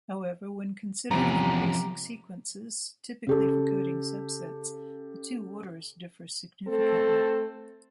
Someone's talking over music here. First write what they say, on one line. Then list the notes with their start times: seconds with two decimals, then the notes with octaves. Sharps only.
However, when considering increasing sequences, typically for coding subsets, the two orders differ significantly.
1.11 C3 E3 F3 B3 C#4 A#5
3.27 C#3 G4 A4
6.67 A3 C4 A4